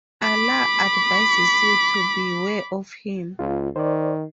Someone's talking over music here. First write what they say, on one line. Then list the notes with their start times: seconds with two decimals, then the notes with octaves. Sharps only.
Allah advises you to beware of Him.
0.22 B5 D6
3.39 C#2 F4
3.76 D#3 C5 D5